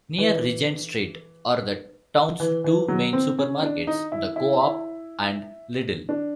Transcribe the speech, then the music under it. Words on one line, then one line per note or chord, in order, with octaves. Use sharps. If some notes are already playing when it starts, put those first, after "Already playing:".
Near Regent Street are the town's two main supermarkets, the Co-op and Lidl.
E3
E3
E3
F#3
C4
C#4
D4
D#4
E4
E4
E4
D4